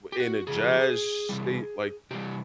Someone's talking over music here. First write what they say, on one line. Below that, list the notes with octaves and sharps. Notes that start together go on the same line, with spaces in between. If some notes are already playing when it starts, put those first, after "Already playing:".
in a jazz state? Like,
G4
F#4
C#3 F3 G#4
C3 E3 G3
C3 E3 G3 G4